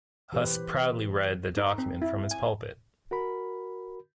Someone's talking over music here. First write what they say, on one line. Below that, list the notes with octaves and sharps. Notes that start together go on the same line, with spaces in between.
Hus proudly read the document from his pulpit.
E3 G4 B4 C5
D#4
C4
E4
G#5
F#4 A#4 B5